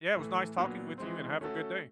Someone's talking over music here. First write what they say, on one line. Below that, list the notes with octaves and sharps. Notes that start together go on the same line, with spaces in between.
Yeah, it was nice talking with you, and have a good day.
A2 E3 A3
A#2 F#3 B3 D4
E3 G#3 C4
A3 C#4 F#4 A4